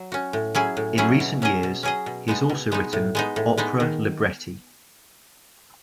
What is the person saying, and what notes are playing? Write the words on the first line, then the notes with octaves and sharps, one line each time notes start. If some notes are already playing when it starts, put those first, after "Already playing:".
In recent years he has also written opera libretti.
Already playing: F#3
C#4 F#4
A2
F#3 C#4 E4 G#4
A2
F#3 C#4 E4 G#4
B2
F#3 C#4 G#4 D#5
B2
F#3 C#4 G#4 D#5
B2
G#3 B3 D#4
B2
G#3 B3 D#4
A2
G#3 B3 D#4
A2
G#3 B3 D#4
D#3